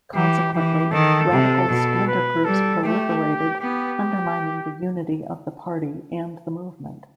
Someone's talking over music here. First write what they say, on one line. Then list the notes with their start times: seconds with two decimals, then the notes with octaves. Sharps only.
Consequently, radical splinter groups proliferated, undermining the unity of the party and the Movement.
0.15 E3 G4
0.53 E3 G4
0.91 D#3 A4
1.30 C3
1.68 B2
2.07 B4
2.45 G3 A4
2.83 A3 G4
3.60 B3 G4